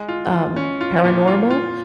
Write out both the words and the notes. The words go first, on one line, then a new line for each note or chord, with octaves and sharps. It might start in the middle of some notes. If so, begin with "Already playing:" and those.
um, paranormal,
Already playing: G#3
F4
F4
C#4
F4
A#2
F4
F4